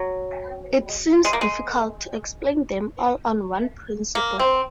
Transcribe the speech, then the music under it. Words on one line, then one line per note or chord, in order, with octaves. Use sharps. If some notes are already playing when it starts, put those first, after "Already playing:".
It seems difficult to explain them all on one principle.
Already playing: F#3
G#3
A#3
G#3
A#3
C4